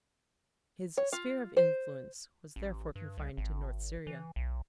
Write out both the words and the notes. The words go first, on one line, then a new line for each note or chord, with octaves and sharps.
His sphere of influence was therefore confined to North Syria.
C#5
F4
C5
A1
G2
C2
G#1
E3
B1